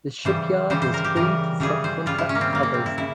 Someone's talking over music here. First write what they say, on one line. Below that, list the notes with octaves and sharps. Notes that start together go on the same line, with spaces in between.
The shipyard was free to subcontract others.
C#3 E3 G3 C5
C#3 E3 G3 C5
C5
A#4
G4
C#3 E3 G3 A#4
C#3 E3 G3 G#4
C5
C#3 G3 F4
E4
C#4
A#3
C4
C#3 G3 A#3
A#3
C4
E4
C#3 E4